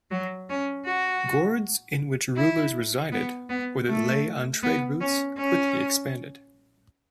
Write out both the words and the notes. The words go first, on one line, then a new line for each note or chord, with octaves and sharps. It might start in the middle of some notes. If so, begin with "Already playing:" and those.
Gords in which rulers resided or that lay on trade routes quickly expanded.
F#3
C#4
F#4
E4
B3
B3
A3
B3
C#4
C#4